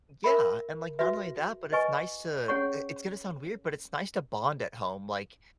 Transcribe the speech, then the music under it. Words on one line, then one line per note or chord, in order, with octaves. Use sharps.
Yeah, and, like, not only that, but it's nice to, eh, it's gonna sound weird, but it's nice to bond at home. Like,
A#4 E5 B5
F#4 B4 E5
B4 D#5 G#5 C#6
C#4 G#4 C#5 F#5 C#6